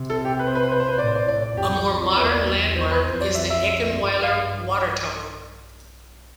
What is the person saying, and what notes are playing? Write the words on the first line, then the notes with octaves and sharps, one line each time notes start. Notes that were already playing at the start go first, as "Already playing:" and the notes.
A more modern landmark is the Eckenweiler Water Tower.
Already playing: C3
A4
G4
B4
C5
B4
C5
B4
C5
B4
A2 D5
C5
D5
A2 D5
D5
F2 G4
E2 B4
D5
E2
C5
B4
F2 C5
D5
E5
E5
G2
F5